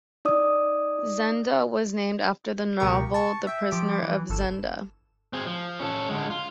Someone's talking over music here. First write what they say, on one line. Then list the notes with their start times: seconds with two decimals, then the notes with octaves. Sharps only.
Zenda was named after the novel "The Prisoner of Zenda".
0.25 D#4 D5 D#6
2.80 C#2 B2 G4 A#4 C#6
3.14 A5 C#6
3.47 E5 G5
3.71 F3 G4 D7
4.03 E3
4.29 G1 A4 E7
5.33 C4 G#4
5.47 F3
5.79 C#4 A4
6.09 D3 G#3
6.30 F4